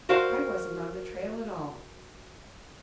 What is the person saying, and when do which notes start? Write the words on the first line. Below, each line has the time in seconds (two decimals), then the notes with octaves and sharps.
I wasn't on the trail at all.
0.09 F#4 A#4 C5 F5